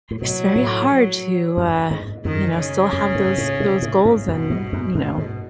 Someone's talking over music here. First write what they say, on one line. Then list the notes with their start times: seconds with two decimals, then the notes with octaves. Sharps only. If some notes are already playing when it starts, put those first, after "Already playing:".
it's very hard to, uh, you know, still have those those goals and, you know
0.11 A2
0.22 B2 F#3
0.56 A2
0.90 F#3
1.57 F#2
1.91 G#2
2.25 F#2 D#3
2.59 C#3
2.93 F#2
3.15 G#2
3.38 A2
3.60 B2
3.82 A2
4.05 G#2
4.28 F#2 B2
4.50 G#2
4.73 F#2
4.95 F#2 B2
5.18 G#2